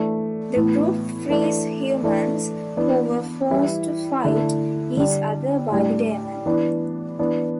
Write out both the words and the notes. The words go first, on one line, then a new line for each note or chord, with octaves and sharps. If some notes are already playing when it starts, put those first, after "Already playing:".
The group frees humans, who were forced to fight each other by the demon.
Already playing: E3 A3 D4
A2 E3 B3
E3 A3 D4
E3 A3 D4
E3 B3 D4
E3 G3 E4
D3 A3 E4
D3 G3 D4
A2 G3 D4
E3 B3 D4
E3 B3 D4